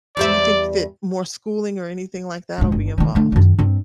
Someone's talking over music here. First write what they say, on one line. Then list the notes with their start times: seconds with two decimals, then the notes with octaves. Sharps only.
do you think that more schooling or anything like that will be involved?
0.17 E2 G3 D5 E5
2.58 D#2 G#2
2.72 G1
2.98 D#3 A#3
3.15 D3 A3
3.32 F#2 D#3
3.59 G2 C4